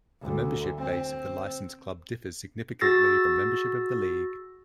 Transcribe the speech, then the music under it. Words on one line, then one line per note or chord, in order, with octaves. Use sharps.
The membership base of the licensed clubs differs significantly from membership of the League.
D2
C4
F#4 G#4 E6 A6 A#6 C7